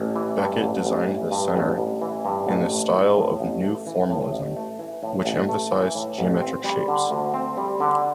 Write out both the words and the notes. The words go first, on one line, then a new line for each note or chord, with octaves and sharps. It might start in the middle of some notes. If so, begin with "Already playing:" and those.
Becket designed the center in the style of New Formalism, which emphasized geometric shapes.
Already playing: A1
E3
G2
A1
A1
E3
G2
A1
A1
E3
G2
A1
A3
E3
A2
A1
A3
E3
A2
A1
A3
E3
A2
A1
A3
E3
A2
A1
C4
G3
D3
D2
C4
G3
D3